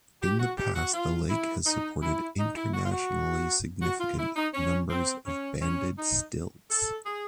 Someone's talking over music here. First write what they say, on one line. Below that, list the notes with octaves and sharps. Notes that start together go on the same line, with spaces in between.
In the past the lake has supported internationally significant numbers of banded stilts.
G4
F#4
G4
F#4
F4
E4
D#4
E4
D#4
E4
F#4
F4
F#4
F#4
F4
E4
D#4
C#4
C4
C#4
C#4
D#4
A4
G#4